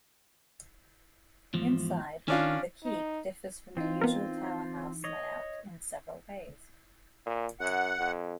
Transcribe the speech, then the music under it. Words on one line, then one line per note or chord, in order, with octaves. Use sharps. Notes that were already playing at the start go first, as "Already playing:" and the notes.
Inside, the keep differs from the usual tower house layout in several ways.
E2 G#2 F3
D#3 C#4 D4 F4
D#4
E3 C4 D#4 F4
B3 A#4
C#5 D#5
A#2
F#2 F#5
F2